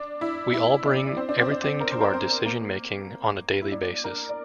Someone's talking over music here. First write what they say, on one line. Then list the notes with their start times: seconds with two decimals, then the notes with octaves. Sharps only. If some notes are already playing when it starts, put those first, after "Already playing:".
We all bring everything to our decision-making on a daily basis.
Already playing: D4
0.21 E4
0.53 E4
0.86 D4
1.17 C4
1.29 D4
1.41 C4
1.52 D4
1.64 C4
1.80 A#4
1.92 C5
2.01 A#4
2.14 C4
2.46 A#3
3.62 E4
3.72 D4
4.04 A#4
4.29 D5